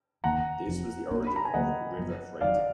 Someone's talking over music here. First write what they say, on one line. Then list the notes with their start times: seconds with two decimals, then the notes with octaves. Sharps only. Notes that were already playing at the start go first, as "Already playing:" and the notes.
This was the origin of river freighting.
0.24 F1 D#2 D#3 A#3 F#5 A#5
0.67 F1 F2 F3
1.11 B1 B2 A#3 D4
1.27 B5
1.36 A#5
1.45 G#5
1.54 D2 D3 F#3 A#3 D#5 F#5
1.97 F#1 F#2 F3 B3
2.41 F1 F2 D#3 F#3 D5 F5